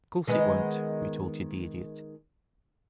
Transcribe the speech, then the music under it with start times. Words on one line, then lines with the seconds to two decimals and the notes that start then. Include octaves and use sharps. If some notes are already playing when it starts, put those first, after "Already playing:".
"Of course it won't," retorted the Idiot.
0.27 D#3 G#3 B3